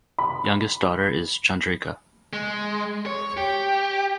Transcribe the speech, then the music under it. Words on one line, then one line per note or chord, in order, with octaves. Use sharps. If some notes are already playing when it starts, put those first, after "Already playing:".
Youngest daughter is Chandrika.
B5
G#3
C#5
G4